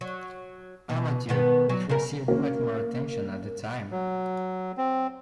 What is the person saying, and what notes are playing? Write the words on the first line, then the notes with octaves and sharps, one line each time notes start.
Amateur, which received much more attention at the time.
F#3
B2
B2 D#3 B3
F#3
C#3 A#4
A#3 C#4
F#3
C4